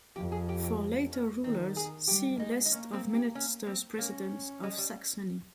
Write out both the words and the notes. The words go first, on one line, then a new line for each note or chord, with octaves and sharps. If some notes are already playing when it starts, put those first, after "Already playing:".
For later rulers, see List of Ministers-President of Saxony.
F2 G4
G#4
G4
G4
C#4
D#3 C4
G#4
G3 G4
G#3 D#4
D#4
A#3 C#4
C4
G4
C#4
C4
A#3 C#4
G#3
G3